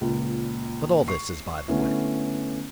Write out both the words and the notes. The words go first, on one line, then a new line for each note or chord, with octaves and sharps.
But all this is by the way.
C#2 A#2
C#6 C7
D3 A3 B3 C#4 E4